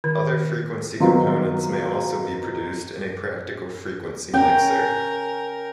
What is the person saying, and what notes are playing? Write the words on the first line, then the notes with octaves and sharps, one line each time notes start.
Other frequency components may also be produced in a practical frequency mixer.
D#3
D#3 F#3 B3 C4 D#4 F4
C#4 A#4 G5